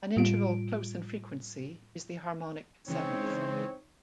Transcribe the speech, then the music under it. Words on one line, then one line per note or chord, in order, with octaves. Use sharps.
An interval close in frequency is the harmonic seventh.
A2 G3 F4 D7
C#3 E3 G#3 C4 D#4 C#5